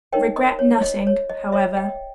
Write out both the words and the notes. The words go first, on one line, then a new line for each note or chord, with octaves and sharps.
Regret nothing, however.
D#4 A#4 C#5 D#5 G5
D#5
C#5
C#5
D#5
C#5
D#5
C#5 E5
D#5 G5